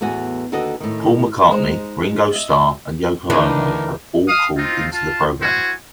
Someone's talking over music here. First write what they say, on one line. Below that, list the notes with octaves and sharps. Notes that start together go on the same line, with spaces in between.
Paul McCartney, Ringo Starr, and Yoko Ono have all called into the program.
E2 A2 B3 F#4 G#5
D#2 D3 F#4 A4 B4 D#5
A2 D#3
G#3 D#4 C5
D#5 E5
D2 E3 A3 D4 D#4 A#4 B4
F5 D#6
C4 D#4 F4
F4 A5
E4 F#4 C5 G#5